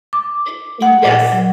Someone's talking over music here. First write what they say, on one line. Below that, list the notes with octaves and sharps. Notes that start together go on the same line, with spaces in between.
Eh y yes.
D6
F#5
A#2
F#3